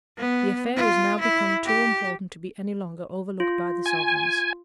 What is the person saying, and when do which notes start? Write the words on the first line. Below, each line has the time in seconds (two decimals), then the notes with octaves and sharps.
The affair was now become too important to be any longer overlooked by the sovereigns.
0.18 B3
0.76 F4
1.21 E4
1.66 G4
3.40 F4
3.86 G#5